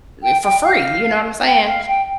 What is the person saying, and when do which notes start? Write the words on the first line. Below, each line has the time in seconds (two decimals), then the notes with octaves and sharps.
eh, for free. You know what I'm saying?
0.22 G5
0.42 G5
0.63 F5
1.45 G5
1.66 F5
1.87 G5